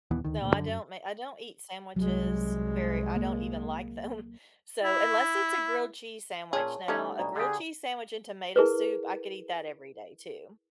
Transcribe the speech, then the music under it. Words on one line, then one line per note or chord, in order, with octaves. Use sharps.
No, I don't ma I don't eat sandwiches very I don't even like them. So unless it's a grilled cheese sandwich. Now, a grilled cheese sandwich and tomato soup, I could eat that every day too.
D#1 D#2 E3 B3
D2 D#3
D2 A#2
F#2 D3
F#2
C2 F#3 G#3
A#3
E4
A#2 C#4 G#4 C#5 A5 C#6
G3 A3 C#4 D#4
B2 D4 D5 A#5
D3 G4 G#4
E4 G#4 A#4 B4